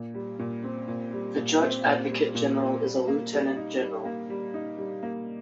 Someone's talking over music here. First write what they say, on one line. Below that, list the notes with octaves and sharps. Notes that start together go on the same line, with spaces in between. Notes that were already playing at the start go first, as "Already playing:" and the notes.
The Judge Advocate General is a lieutenant general.
Already playing: A#2
G3
A#2
C4
A#2
G3
A#2
C4
A#2
G3
A#2
C4
G3
A#3
G3
D#4
G3
A#3
G3
D#4
G3
A#3